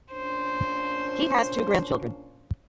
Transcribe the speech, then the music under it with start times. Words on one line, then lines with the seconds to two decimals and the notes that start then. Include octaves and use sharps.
He has two grandchildren.
0.13 A#2 C#4 D4 C5